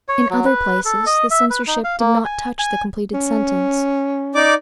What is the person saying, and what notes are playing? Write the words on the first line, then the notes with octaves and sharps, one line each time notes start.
In other places the censorship did not touch the completed sentence.
C#5
F#3
B4
A4
D#5
E5
B4
D#4
F5
A#3
G#5
G#5
C#4
D#4 D5 D6